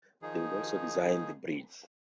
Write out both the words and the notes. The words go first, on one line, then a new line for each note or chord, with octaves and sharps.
They would also design the bridge.
D#3 F3 D#4 G#4